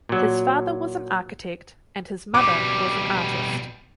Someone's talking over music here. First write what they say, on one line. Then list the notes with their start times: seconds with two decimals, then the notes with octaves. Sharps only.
His father was an architect and his mother was an artist.
0.09 A#2 F#3
2.34 B2 G3 D6